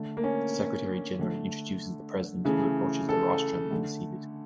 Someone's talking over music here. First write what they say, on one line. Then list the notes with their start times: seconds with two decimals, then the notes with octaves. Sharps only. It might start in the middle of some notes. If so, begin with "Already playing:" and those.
The Secretary General introduces the President, who approaches the rostrum and is seated.
Already playing: D3 A3
0.17 A#3
0.24 C#4
1.19 D3 A3
2.45 C#3 E3 A3
3.09 A4
3.71 D3 A3